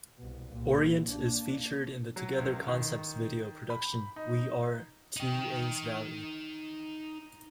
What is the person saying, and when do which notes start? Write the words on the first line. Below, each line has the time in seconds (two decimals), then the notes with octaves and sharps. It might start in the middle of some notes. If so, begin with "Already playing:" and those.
Orient is featured in the Together Concepts video production "We Are..Teays Valley".
0.18 C2 B2
0.51 C2 A#2
1.09 A#3 D4
2.16 F#3
2.38 C#2
2.68 D#3
3.70 B5
4.16 D#4
5.16 D#4 G5